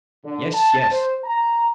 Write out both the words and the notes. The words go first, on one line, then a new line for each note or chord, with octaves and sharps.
Yes! yes!
D3
A5
C5
A#5